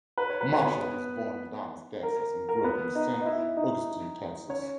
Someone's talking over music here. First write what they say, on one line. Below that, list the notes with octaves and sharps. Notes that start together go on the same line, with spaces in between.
Marshall was born in Dallas, Texas and grew up in San Augustine, Texas.
B4
C#5
B4
C#5
B3 B4
A#4
A#4
B3 B4
D#4 D#5
D#5
E4 E5
D#4 D#5
C#4 C#5